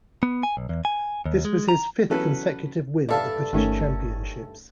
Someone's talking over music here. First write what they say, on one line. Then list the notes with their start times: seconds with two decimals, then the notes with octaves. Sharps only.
This was his fifth consecutive win at the British Championships.
0.23 B3
0.43 G#5
0.57 B1
0.69 E2
0.85 G#5
1.26 D#2
1.45 G#3
1.69 A#5
2.10 E3 F#3 B3 C#4 A4 B4
3.09 G2 A4 D5 E5 F5 A5
3.53 G1 D#3 A3 C#4